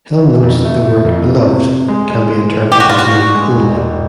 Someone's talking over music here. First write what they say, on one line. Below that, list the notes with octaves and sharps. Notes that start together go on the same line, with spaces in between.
Hill notes that the word "beloved" can be interpreted as meaning "only".
E3
F2
A3
A3
F2
E3
C3
C3
G#3
G#3
G#3
E3
E3 G4
F#4
G2 F4
F#4
G2
G#3
E1
E1